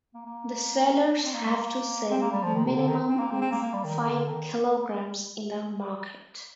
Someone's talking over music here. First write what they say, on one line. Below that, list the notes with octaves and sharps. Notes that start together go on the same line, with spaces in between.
The sellers have to sell minimum of five kilograms in the market.
A#3
A#3
C4
A#3
G#3
A#3
C4
A#3
G3
F3
D#3
C3
D3
D#3
C4
A#3
C4
C4
A#3
A#3
G3
D#3
D3
D#3